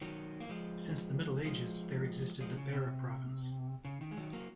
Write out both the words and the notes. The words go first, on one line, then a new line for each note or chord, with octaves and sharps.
Since the Middle Ages there existed the Beira Province.
D#3 F#3
A#3
F3 G#3
F3 G#3
F3 G#3
C#3
C3
C#3
D#3
G#3
D#3 F#3
F#3 A#3